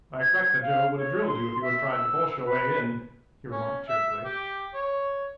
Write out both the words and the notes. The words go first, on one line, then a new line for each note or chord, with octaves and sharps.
"I expect that Joe would have drilled you if you had tried to force your way in," he remarked cheerfully.
G#6
G#6
F5
C#5
C6
E5
E6
B4
C#4
E5
G4
C#5